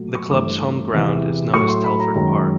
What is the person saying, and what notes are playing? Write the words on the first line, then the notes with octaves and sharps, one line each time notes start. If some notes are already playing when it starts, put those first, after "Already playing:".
The club's home ground is known as Telford Park.
Already playing: A#2 F#3 A3
C#6
G2 E3 A3 D6
E2 C3 E3
A2 F#3 A3 C#6
C6
B5
A#5
F#2 D#3 G#3 A#5